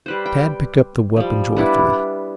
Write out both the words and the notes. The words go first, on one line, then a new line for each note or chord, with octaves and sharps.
Tad picked up the weapon joyfully.
G3 B4 C5
G5
F3 G3
G3 B3 D4 E4